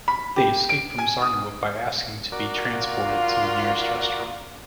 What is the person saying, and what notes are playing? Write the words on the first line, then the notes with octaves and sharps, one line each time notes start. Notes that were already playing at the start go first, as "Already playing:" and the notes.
They escape from Zarniwoop by asking to be transported to the nearest restaurant.
B5
G4
D7
G#5
D#6
F#4 A#4 D5
F4